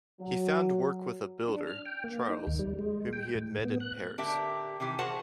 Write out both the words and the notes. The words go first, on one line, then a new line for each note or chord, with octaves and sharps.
He found work with a builder, Charles, whom he had met in Paris.
F#3
D4
F6
G5
A#3
D#4
D#2
G3
G#3
G5
A2
B3
F#6
D3 G4 A#4 E5
C3 D#3 E3 G4
F#4 G#4 A#4 C5 F#5 A5